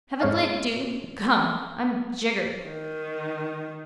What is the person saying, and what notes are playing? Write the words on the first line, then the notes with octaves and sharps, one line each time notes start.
Have a glint, do. Gum, I'm jiggered.
G#2 C#5 F5 A5
D#3